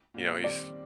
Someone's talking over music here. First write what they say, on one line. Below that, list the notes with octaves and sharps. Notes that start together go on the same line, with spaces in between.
you know, he's,
A#2 G3 A#3
D#3 G3 C4 D5